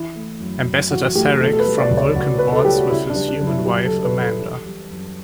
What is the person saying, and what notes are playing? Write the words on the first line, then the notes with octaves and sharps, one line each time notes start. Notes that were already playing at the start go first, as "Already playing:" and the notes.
Ambassador Sarek from Vulcan boards with his human wife Amanda.
Already playing: E3 E4
A3
F#2
F#2
E3 F#4
A3 G4
B2 A4
A4
B4
G3
D5
C#2
C#5
C#2 F#4
B2 B4
A4
G3 G4
F#4
C#3 E4
D4
G3
D4
F#2
E4
F#2 G4
A4
C#3
B4
G3
A4
E3
G3
F#2